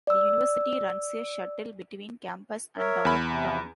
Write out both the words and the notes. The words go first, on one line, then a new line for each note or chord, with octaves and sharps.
The university runs a shuttle between campus and downtown.
D5 E6
A#4 C#5 E5
E2 B5
C3